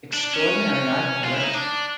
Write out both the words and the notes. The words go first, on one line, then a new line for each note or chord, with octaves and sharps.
Extraordinary, I call it.
D4
C#4
F4
E4
D#4
D4